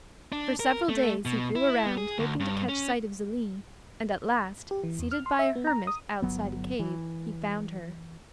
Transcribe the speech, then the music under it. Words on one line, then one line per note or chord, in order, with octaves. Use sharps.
For several days he flew around hoping to catch sight of Zelie, and at last, seated by a hermit, outside a cave, he found her.
D4
A#4
A3
B2
E4
B3
G#4
D2
G2
C#4
G4
E3
E2
F6
C6
E5
B3
A#5
D#6
G1 F#3 B3
E3